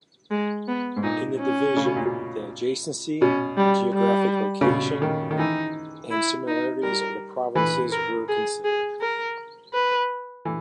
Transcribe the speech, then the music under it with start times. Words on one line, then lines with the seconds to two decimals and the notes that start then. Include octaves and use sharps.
In the division, the adjacency, geographical location and similarities of the provinces were considered.
0.31 G#3
0.68 B3
0.97 G#2
1.03 A#2 D#4
1.39 C#4
1.77 C#3
1.86 B2
1.96 A#2
2.05 B2
3.22 B2 C#4
3.57 G3
3.94 G3
4.61 C#3
4.66 B2
5.02 D#3
5.31 D#3
5.38 E3 D#4
6.11 E4
6.48 D#4
6.83 G3 A#4
7.55 E3 B4
7.92 A#4
8.28 G#4
8.64 G#4
9.01 A#4
9.73 B4
10.45 E3